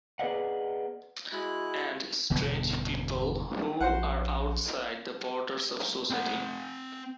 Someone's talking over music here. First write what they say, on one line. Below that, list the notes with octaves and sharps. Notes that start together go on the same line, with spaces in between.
And strange people who are outside the borders of society.
B3 G#4 B4 D5 D#5 F#5
G#3 E4 F#4 F#6
G1 E2 B2 B3
A#1 F#4 C5 F#5
C4 F#5